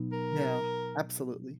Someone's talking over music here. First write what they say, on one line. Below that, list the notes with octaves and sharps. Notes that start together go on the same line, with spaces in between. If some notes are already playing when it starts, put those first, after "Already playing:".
Yeah, absolutely,
Already playing: B2 F#3 B3 D#4
A#4